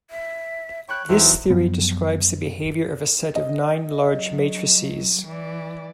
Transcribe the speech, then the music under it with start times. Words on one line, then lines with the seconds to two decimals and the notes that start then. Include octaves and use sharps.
This theory describes the behavior of a set of nine large matrices.
0.10 E5
0.89 C#5 G5 B5 C#6 F#6
1.09 E2 F#3 D#4 C5 C#5 E5 G5
1.50 F#2 F3 F#3 B3
3.36 D#5
4.11 F#3
5.25 E3 D5